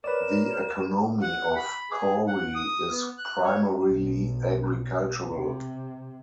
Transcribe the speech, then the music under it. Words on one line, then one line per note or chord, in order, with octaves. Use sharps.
The economy of Koori is primarily agricultural.
A#4 B4 C#5 D5 E7
F#5
B5
G#4
F#5
D#6
B3
F#6
C#5
B1
C3